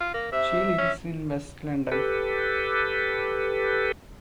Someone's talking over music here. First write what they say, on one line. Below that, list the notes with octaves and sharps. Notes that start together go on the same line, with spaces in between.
She lives in west London.
F4
A#3
C3 E5
C#4
G4 A4 B4